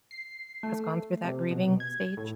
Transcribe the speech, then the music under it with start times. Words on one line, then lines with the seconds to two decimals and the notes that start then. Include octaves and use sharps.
has gone through that grieving stage?
0.11 C7
0.63 A3
1.24 C3
1.51 B2
1.80 G#6
2.17 A2